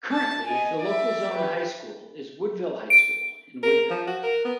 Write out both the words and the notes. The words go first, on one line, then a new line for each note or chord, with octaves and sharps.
Currently, the local zone high school is Woodville High School, in Woodville.
A5
D#5 G#5
D5 E5
G4 B4
D7
A#4
F3
F#4
A#4
B3